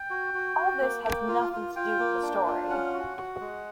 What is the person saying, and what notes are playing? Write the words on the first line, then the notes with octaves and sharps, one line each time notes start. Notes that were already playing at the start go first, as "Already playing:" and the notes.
All this has nothing to do with the story.
Already playing: G5
F#4
F#4
F#4
A#3
A#3
F4
F4
F4 G5
A#3
D4
F4
C#4 F#5
F#4
F#4
G#3